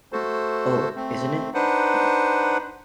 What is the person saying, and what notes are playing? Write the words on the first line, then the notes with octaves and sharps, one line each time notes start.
Oh, isn't it!
A3 F#4 A4 C5
A3 C4
D4 D#4 B4 C5 F#5